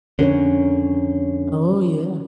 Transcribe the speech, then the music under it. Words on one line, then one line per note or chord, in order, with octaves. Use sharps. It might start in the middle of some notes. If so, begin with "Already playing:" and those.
Oh, yeah.
F2 D3 C#4 A#4 C#5